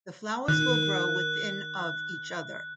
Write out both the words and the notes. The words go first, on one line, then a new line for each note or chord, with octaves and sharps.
The flowers will grow within of each other.
D#3 F#6